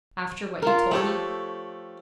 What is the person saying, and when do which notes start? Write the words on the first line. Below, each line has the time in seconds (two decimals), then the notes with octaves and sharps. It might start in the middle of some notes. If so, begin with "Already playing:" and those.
After what you told me?
0.62 F4 A#4
0.91 F3 A3 G4 A4 C#5